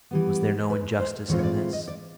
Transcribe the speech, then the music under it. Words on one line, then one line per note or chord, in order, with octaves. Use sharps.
Was there no injustice in this?
E3 G3 B3
B4
C5
A2 E3 G#3 C4 F4 C#5
C#5
D5
E5
D#5
D5